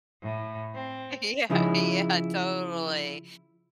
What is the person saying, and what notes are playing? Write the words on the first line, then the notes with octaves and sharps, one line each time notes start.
Yeah, yeah, totally.
A2
C4
C#3 F3 D#4 E4 G#4